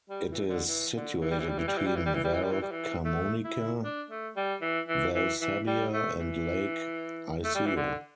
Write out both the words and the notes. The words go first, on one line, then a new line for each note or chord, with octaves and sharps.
It is situated between Val Camonica, Val Sabbia and Lake Iseo.
G3
E3
D3
E3
D3
E3
G3
E3
G3
E3
G3
E3
G3
E3
G3
E3
G3
E3
G3
E3
G3
E3
A3
E4
D4
A3
G3
E3
E3
E3
E3
G3
A3
E3
A3
G3
E3
D3